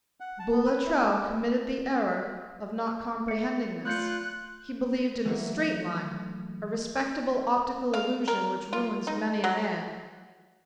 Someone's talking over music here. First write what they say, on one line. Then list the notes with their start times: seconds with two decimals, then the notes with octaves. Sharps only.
Boulatruelle committed the error of not comprehending this. He believed in the straight line; a respectable optical illusion which ruins many a man.
0.20 F#5
0.39 A5
0.52 B3
0.66 B4
0.86 E4
1.02 G4
3.28 E5 C#7
3.85 A3 F4 F#6 G6 C#7
5.26 E3 F#3 A3 A#3 E4
7.94 F5
8.28 A#4
8.73 F4
9.07 D#4
9.44 F#3